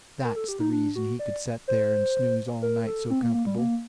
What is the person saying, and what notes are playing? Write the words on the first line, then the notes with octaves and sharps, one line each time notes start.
THAT'S the reason he could set there and snooze all night so comfortable.
A#4
A4
G4
D#4
D4
F#4
D5
C5
A#4
A4
C4
A#3
A#3
G3
A#3